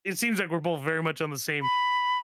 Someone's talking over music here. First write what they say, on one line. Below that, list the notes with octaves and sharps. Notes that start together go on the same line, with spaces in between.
it seems like we're both very much on the same
B5